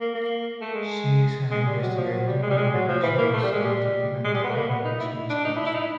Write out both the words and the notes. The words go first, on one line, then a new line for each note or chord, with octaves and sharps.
She is an investigator with the National Scientific and Technical Research Council.
A#3
A#3
A3
G#3
G#3
G3
F#3
F3
F#3
G3
G#3
G3
G#3
F#3
F3
E3
A#3
A3
G3
G#3
G3
G#3
G3
B3
A3
A#3
B3
D#4
E4
D4
D#4
E4
E4
D#4